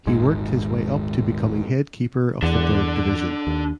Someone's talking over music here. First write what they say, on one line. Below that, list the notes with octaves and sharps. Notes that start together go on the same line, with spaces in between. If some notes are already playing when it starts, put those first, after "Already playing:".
He worked his way up to becoming head keeper of the Bird Division.
D#1 G#1 G#2 G#3
E2 D4 F#5
D#2